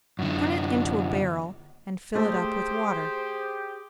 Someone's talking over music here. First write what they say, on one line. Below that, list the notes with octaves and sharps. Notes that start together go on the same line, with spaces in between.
Turn it into a barrel, and fill it up with water.
F#2 D3
A3 G4 G#4 C5